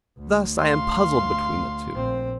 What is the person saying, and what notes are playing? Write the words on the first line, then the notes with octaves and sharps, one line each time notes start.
Thus I am puzzled between the two.
D2
F5 C6
A#1 C4